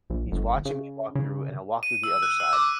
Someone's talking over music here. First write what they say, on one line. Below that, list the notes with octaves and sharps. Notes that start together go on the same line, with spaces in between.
he's watching me walk through, and I walk through the other side,
A#1
G1
C#3
C#3
D#7
E6
F#6
E6
D6